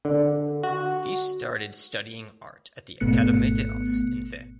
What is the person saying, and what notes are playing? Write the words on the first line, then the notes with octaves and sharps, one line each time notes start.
He started studying art at the "Academie des Arts" in Fes.
D3
F#4
G#1 B2 A3 B3 F#6 C#7